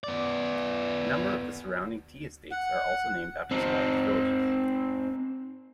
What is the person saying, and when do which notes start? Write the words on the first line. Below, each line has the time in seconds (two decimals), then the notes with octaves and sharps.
A number of the surrounding tea estates are also named after Scottish villages.
0.04 B3 D5
2.51 F#5
3.51 C4 D#4